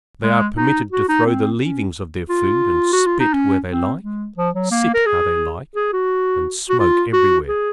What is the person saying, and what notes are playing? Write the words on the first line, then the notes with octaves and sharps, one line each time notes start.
They are permitted to throw the leavings of their food and spit where they like, sit how they like and smoke everywhere.
G#3
D#4
F#4
D#4
C4
C#4
F4
F#4
F4
D#4
C#4
C4
G#3
F3
F#3
A#3
A#4
G#4
G#4
F#4
F#4
F4
F#4
G#4